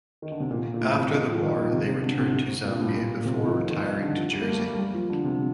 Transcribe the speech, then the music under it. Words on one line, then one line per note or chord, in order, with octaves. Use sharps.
After the war they returned to Zambia before retiring to Jersey.
D#3
D3
C3
A#2
A#2
A2
C3
D#3
F3
D#3
A#2
C3
C3
D3
C3
A#2
A2
A#2
A#2
C3
D#3
F3
D#3
F3
D#3
D3
F3
G3
A#3
A3
G3
A3
G3
F3
D3
C3